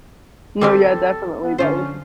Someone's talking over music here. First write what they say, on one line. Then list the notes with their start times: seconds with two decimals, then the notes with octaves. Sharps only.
No, yeah, definitely. That would
0.61 G3 C4 G4 A4
1.43 B3
1.58 D3 C#4 F4 C5